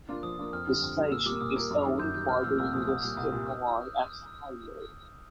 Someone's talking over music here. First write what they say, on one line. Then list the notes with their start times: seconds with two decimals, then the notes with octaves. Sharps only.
The station is owned by the University of Hawaii at Hilo.
0.09 A#3 D4 F4
0.23 F3 D#6
0.38 A#3 D4 F4
0.53 F2 F6
0.67 D3 G3
0.82 F2
0.97 D3 G3
1.11 A#2 E6
1.26 G3 A#3 D6
1.40 A#2 D#6
1.56 G3 A#3
1.71 F#2
1.86 D#3 G3
1.99 F#2 G6
2.14 D#3 G3 G6
2.29 C2 F6
2.43 A#2 F3 A3 E6
2.58 C2 E6
2.73 A#2 F3 A3 D#6
2.88 C2 D#6
3.03 A#2 G3 D#6
3.17 C2 D#6
3.32 A#2 G3